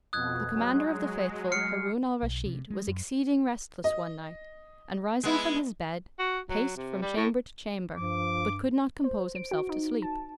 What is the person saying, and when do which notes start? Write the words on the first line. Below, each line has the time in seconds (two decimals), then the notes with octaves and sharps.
The Commander of the Faithful Harun Al-Rashid was exceeding restless one night and rising from his bed, paced from chamber to chamber, but could not compose himself to sleep.
0.13 F2 B2 D#6 F#6 G#6
0.53 F#3 G#3
1.52 F6 C7 C#7
2.23 B1
2.46 C3
2.70 G#3
2.87 F#2
3.84 D#5
5.23 G#3 B3 E4
6.19 F#4
6.50 F#3
6.77 C3
7.02 G3
7.16 A2
7.97 G2 F3 D6
9.04 C5
9.35 D7
9.51 F#4
9.69 D#4
10.02 A5